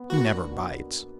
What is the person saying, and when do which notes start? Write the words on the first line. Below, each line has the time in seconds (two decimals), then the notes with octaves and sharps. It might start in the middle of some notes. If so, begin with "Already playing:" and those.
"He never bites."
Already playing: B3
0.10 A#3 F#4
0.31 D4
0.51 B2